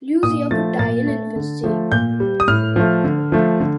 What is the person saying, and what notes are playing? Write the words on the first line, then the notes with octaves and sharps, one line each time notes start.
Luisa would die in infancy.
A#2 D#6
F3 A3 A6
A#2 A6
A3
D3
F3 A3
A#2 G6
G3
D#6
A2 F6
F3 A3
D3
F3 A3
D3